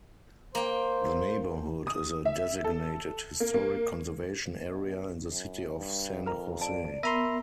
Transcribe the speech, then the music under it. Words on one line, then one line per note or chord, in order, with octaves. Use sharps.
The neighborhood is a designated Historic Conservation Area in the City of San Jose.
A#3 C5 G5
D#6
E5
A4
A#3
A#3
B2
F#2
G2
F2 A#4 A#5
D5 A5
B3 A#4 E5 A#5 C6 A#6